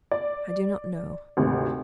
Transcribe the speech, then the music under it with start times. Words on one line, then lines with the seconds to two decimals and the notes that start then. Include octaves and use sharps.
I do not know.
0.11 D5
1.37 G#1 D2 C3